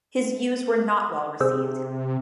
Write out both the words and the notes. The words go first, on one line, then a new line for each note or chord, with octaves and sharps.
His views were not well received.
C3 G#4 C5 E6